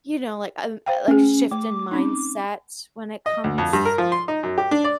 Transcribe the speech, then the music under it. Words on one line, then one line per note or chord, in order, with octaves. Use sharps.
you know, like, um uh, like a shift in mindset when it comes
C5 F5 G5
A3 C#4 G#4
A3 D6
C4 C#4 D#4
D#5
D2
F2
G2
A#4
F3
C6
D#4
F#2
G4
D4
D5